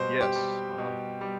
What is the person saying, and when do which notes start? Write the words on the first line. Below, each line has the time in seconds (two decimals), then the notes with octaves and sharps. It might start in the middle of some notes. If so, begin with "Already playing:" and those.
Yes, uh-huh.
Already playing: B2 G3 C5
0.21 G4
0.36 G3
0.78 B2
1.21 G3